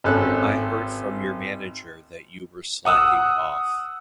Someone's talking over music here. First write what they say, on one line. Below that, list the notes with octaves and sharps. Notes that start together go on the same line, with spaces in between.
I heard from your manager that you were slacking off.
G#1 C#4 A4 F#6
F#5 D#6 E6 F#6